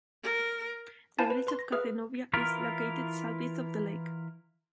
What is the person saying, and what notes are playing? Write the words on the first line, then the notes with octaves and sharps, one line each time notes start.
The village of Cazenovia is located southeast of the lake.
A#4
E4 C5 F5 G#5 A5 A6
B4
B4 C6
A#6
G#4 B4 E5 F5 F6
E3 E4 F4 A#4